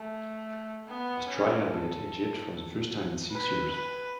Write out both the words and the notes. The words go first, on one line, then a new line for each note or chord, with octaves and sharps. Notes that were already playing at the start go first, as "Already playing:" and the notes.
Australia beat Egypt for the first time in six years.
Already playing: A3
B3
C#4
A4
B4
B4